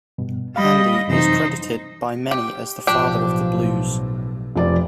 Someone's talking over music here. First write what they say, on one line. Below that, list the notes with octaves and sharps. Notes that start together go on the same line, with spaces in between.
Handy is credited by many as the father of the Blues.
G2 B2
G3 D#5 F5 B5
F#2 C3 E3 D#4 C5
G4
B1 A2 F3 D4 G4
F1 F3 D5